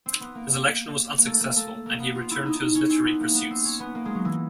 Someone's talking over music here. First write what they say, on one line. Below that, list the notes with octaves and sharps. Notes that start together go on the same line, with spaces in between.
His election was unsuccessful and he returned to his literary pursuits.
C4
B3
A#3
A#3
A3
A#3
A3
A#3
B3
F4
E4
D#4
C#4
C4
B3
A#3
B3
C4
C#4
B3
A#3
G#3
F#3
E3